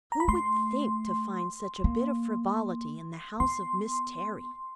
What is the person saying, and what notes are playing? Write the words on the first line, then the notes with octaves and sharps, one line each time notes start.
Who would think to find such a bit of frivolity in the house of Miss Terry!
A#5
B5
A3 C6
A#3
B3 C6